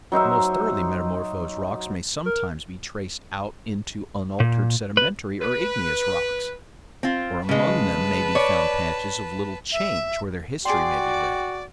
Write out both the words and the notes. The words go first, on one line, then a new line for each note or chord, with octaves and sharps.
The most thoroughly metamorphosed rocks may sometimes be traced out into unaltered sedimentary or igneous rocks, or among them may be found patches of little change where their history maybe read.
F#3 D#4 C5 E5
A#4
A#2
B4
B4
C4 F4
C#3 G#3 B4 A5
C#5 D5
E5
F#4 G#4 D5 G5 C6